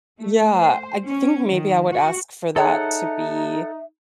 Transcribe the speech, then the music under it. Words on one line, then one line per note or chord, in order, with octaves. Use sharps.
yeah, I think maybe I would ask for that to be
A3
C5
C#4
D#3
F#4
D#4 G#4 A4 C#5 E5 F#5 A#5